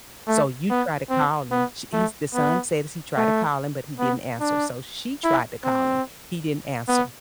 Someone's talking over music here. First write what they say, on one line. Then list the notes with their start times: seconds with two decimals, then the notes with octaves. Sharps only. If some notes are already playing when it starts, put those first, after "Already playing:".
So you try to call him." She he's the son said he tried to call him, but he didn't answer. So she tried to call him. He didn't answer.
0.28 A3
0.69 B3
1.10 C4
1.51 B3
1.93 A3
2.34 B3
3.17 A3
3.99 B3
4.40 D4
5.24 E4
5.65 C4
6.88 B3